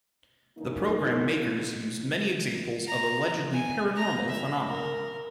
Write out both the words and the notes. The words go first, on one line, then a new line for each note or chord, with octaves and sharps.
The programme makers used many examples of allegedly paranormal phenomena.
D3 E3 A#3 C#4 D#4
A#5
G#5
A#5
E5
A#4